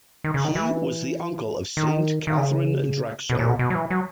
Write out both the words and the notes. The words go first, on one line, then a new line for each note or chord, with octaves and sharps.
He was the uncle of Saint Katharine Drexel.
D#3
C#3
D#3
E3
D#3
D#3
C#3
B2
A#2
B2
B2
F#3
E3
F#3